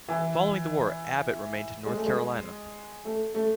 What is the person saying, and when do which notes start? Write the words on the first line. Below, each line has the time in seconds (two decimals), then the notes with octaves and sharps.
Following the war, Abbott remained in North Carolina.
0.08 E3
1.86 G#3
1.97 A3
2.06 G#3
3.05 A3
3.34 A3